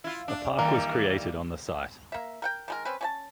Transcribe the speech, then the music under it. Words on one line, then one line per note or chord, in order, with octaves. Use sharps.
A park was created on the site.
E4 F4
D4
D#3 E3 G3 A#3
A#3 E5
A#4 F#5 G5
D#3 G#3 A#4
C4 C#4 B4
C#4 C#5 A5